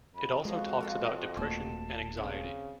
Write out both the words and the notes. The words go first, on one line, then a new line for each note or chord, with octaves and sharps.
It also talks about depression and anxiety.
F2 B5
F3 G#3 B3 F#4
F4 A4 A#4
D#1 A3 A#3 F#4 A5
C#3 C4